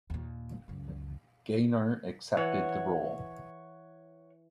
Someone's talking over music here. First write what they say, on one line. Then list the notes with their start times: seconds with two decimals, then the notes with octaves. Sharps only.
Gaynor accepted the role.
0.10 D#2 A#2
0.68 C#2 F#2
2.37 E3 C#5 F#5